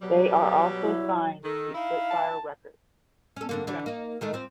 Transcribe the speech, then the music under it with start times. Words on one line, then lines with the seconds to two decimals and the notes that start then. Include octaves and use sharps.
They are also signed to Spitfire Records.
0.02 B2 F#3 G3
0.83 E4
1.44 D#3 A4
1.74 D#4 E4 F5
2.10 A5
3.36 C#4 A4
3.49 G2 D3 A#3
3.67 D3 E3 D4
3.86 A#3 D#4
4.21 D#3 G#3 A3
4.33 F3 C4 C5